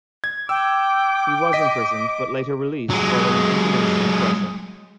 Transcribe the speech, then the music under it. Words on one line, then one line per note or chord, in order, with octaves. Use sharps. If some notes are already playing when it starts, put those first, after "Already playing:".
He was imprisoned, but later released following international pressure.
G#6
G5 D6 E6
D#5 B6
F#3 G#3